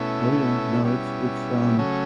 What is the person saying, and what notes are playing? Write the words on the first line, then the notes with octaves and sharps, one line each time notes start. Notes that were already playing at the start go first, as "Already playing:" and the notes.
Oh yeah, no, it's it's, um
Already playing: B2 A3 C#4 E4
B2 G3 C#4 E4
C#3 F#3 A3 C#4